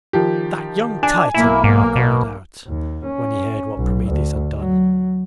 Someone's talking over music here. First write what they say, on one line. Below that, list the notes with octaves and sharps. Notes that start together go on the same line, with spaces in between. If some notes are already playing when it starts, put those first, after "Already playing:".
"That young Titan!" he cried out, when he heard what Prometheus had done.
D#3 F3 G4
D4 G#5
B1 A#3 E4
G#2
B2
D#2
C#4
B1
D2
F#3